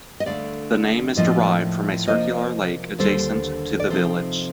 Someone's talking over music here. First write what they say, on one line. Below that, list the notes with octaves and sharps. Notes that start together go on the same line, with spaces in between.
The name is derived from a circular lake adjacent to the village.
D#5
D2 D3 A3 D5 F5
A2 F3 A#3 D4 F4 C5 D#5
C3 F3 A#3 D4 F4 C5 D#5
D#2 D3 G3 A4 C5
D5
C3 F3 C4 D#4 A4 C5